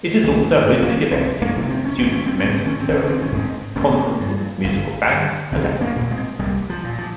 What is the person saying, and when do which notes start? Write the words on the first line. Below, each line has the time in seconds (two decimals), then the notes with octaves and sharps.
It has also hosted events including student commencement ceremonies, conferences, musical bands and acts.
0.24 C2 D#3
0.53 D#3
0.68 C3
0.83 A#3 C#4
1.12 C2 G#3 C4
1.42 A#3 C#4
1.56 C3
1.70 C4
1.85 C#4
1.99 G#1 C4
2.12 C#4
2.26 C4
2.40 C#4
2.45 G#2
2.53 C4
2.67 C#4
2.80 C4
2.88 G#1
2.95 C#4
3.08 C4
3.22 C#4
3.32 G#2 G#3 C4
3.76 G1 A#3 C#4
4.20 G2
4.64 G1
5.08 G2
5.52 C2 G#3 C4
5.81 A#3 C#4
5.96 A#2
6.11 G#3 C4
6.39 C2 G3 A#3
6.70 F3
6.84 A#2
6.98 F3